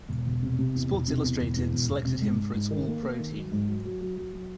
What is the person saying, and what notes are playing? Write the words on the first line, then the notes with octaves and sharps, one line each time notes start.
"Sports Illustrated" selected him for its All-Pro Team.
E1
E1
C3
C3
E2
E1
C3
E2
E1
E2
E1
E1
C3
G#2
G#2
G#2
D#3
A#3
A#3
D#3
F#3
G#2
F#3
F#3
F#3
F#3
F#3